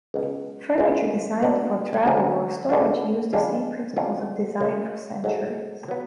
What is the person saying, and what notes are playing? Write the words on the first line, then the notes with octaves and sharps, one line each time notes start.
Furniture designed for travel or storage used the same principles of design for centuries.
C#2 B2 F#3 C#4
C#2 C#3 G#3
B2 F#3 B3 D4
D2 D3 F#3 C#4
C#2 B2 A3 D4 F4
F2 C#3 G#3 D4 F4
F2 D3 F#3 C#4 F4
F#2 C#3 G#3
G#2 F#3 A3
F#3 B3